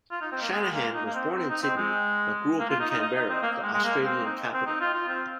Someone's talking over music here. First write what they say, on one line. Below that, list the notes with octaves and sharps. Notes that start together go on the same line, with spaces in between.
Shanahan was born in Sydney, but grew up in Canberra, the Australian Capital.
F4
D#4
C4
A#3
G#3
A#3
D#4
A#3
C4
C4
D#4
C4
G#3
A#3
F4
D#4
D#4
D#4
D#4
C4
A#3
G#3
G#3
A#3
C4
D#4
C4
D#4
F4
F4
C4